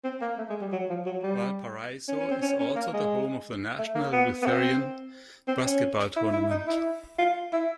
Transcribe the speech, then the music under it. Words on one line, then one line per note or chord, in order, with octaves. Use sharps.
Valparaiso is also the home of the National Lutheran Basketball Tournament.
C4
A#3
A3
G#3
G3
F#3
F3
F#3
G3
C#4
C#4
C4
C#4
C#4
A#3
G#3
A3
A#3
B3
B3
C4
C4
C#4
E4
E4
D#4
E4
F4
E4